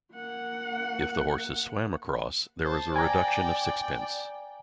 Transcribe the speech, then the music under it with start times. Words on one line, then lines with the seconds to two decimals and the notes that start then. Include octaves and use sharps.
If the horses swam across, there was a reduction of sixpence.
0.13 A#3 F#5
2.63 C5 A5
2.96 D5 G5 G#5 A#5